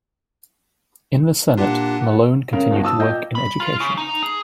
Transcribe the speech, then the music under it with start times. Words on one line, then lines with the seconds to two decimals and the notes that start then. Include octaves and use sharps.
In the Senate, Malone continued to work in education.
1.58 A#2 D4 F4 G4 F#5
2.53 C#3 A#4
2.70 G1 F3 D#4 F#4
2.83 A5 D#6 E6
3.00 A#2 D#5 G5 G6
3.35 B5
3.60 F4
3.80 C#3
3.97 D#4
4.23 G#4